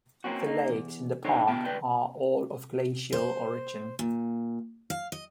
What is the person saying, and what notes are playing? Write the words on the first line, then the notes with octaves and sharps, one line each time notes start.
The lakes in the park are all of glacial origin.
A#3 C4 C#4 F#4
A#3 D#4
E2
D4 D#4 A4 C5 C#5
B2 B3 G5 A5
D2 B4 D5 G5
C5
A#2
F5
D#5